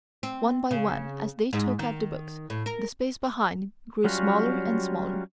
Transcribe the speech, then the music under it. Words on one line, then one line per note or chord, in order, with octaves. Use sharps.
One by one, as they took out the books, the space behind grew smaller and smaller.
C4
C#3
G#2
D#3
A2
A#4
F#3 G3 C#4 F4 F#4